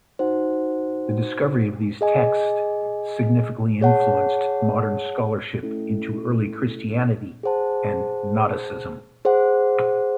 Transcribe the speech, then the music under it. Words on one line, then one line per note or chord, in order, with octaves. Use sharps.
The discovery of these texts significantly influenced modern scholarship into early Christianity and Gnosticism.
D#4 F#4 C5 F#5
G#4 D#5 G#5
G#4 C#5 F#5 A5
A3 C#4 E4 A4
G#4 C5 F#5 A5
G#4 C5 F#5